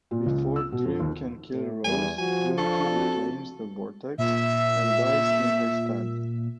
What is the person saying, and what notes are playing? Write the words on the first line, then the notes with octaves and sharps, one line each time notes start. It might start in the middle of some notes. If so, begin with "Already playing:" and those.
Before Dream can kill Rose, Unity reclaims the vortex and dies in her stead.
A#2
C#2
E6
B2
F2
D#2
A2 A3
E2 G3 G#5
F3 F#4 G#5
D4 A4 F5 C#6
C4 F#4
A#2 E5